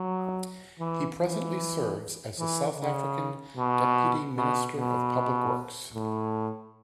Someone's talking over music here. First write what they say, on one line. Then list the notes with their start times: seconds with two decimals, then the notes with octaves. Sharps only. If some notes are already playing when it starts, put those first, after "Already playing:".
He presently serves as the South African Deputy Minister of Public Works.
Already playing: F#3
0.79 E3
1.20 E3
2.39 E3
2.78 C#3
3.57 B2
4.37 B2
4.76 B2
5.94 A2